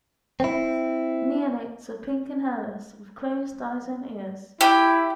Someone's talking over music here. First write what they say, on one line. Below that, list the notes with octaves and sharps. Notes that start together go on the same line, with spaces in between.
Neonates are pink and hairless, with closed eyes and ears.
C4 E4
E4 G4